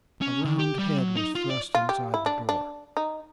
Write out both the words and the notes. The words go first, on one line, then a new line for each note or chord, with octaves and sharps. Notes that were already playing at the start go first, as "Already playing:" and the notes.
A round head was thrust inside the door.
C#4
D3
G4
G3
F#3
D#4
F4
D5
F4
G4
E4
D4
D4
D#4